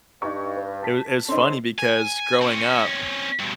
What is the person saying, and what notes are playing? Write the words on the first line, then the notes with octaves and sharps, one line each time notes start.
it was it was funny because growing up,
G2 D#4 C#6
B4
A5 B6
D3 C4 C#4 D#4 C6
G#5
C4 C#4
G2 B2